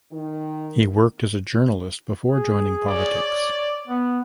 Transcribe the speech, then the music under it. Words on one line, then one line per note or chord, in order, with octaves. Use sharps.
He worked as journalist before joining politics.
D#3
G#4
C#5 D5
B3